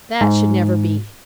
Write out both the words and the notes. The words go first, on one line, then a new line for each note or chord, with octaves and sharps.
That should never be.
G#2